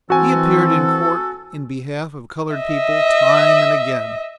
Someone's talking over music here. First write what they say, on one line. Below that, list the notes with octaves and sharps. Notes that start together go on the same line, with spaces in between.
He appeared in court in behalf of colored people, time and again.
E3 C4 F#4 A4 G#5
D#5 E5